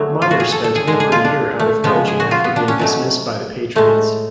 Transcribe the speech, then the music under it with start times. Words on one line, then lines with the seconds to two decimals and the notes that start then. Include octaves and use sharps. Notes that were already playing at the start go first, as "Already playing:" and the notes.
Meyer spent over a year out of coaching after being dismissed by the Patriots.
Already playing: D3 F#3 A3 G#4
0.22 F4
0.31 F#4
0.40 G#4
0.52 A4
0.64 A4
0.75 G#4
0.87 D3 G#3 G#4
1.00 G#4
1.12 F4
1.25 D4
1.59 A3
1.84 C#3 F3 G#3 B3
2.08 G#4
2.20 F#4
2.31 F4
2.44 B3
2.56 D4
2.68 C#4
2.79 B2 F#3 A3
3.75 A2 G#3 A3